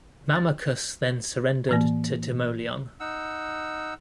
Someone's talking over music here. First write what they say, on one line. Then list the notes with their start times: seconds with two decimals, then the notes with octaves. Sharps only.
Mamercus then surrendered to Timoleon.
0.36 A6
1.69 A2 E3 A#3
3.00 D#4 F#5 E6